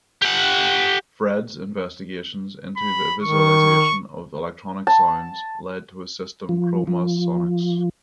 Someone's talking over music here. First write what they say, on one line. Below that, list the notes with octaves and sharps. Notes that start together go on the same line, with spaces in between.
Fred's investigations into the visualisation of electronic sounds led to his system Chromasonics.
G4 F#5
B5
D#3 C#6
A5
F3
F3